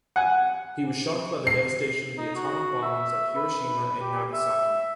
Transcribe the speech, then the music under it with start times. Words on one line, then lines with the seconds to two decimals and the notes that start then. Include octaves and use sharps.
He was shocked by the devastation of the atomic bombings of Hiroshima and Nagasaki.
0.16 F#5 G#5
1.47 C7
2.18 D#4
2.35 F#4
2.82 E5
3.36 B4
4.00 G4
4.33 E5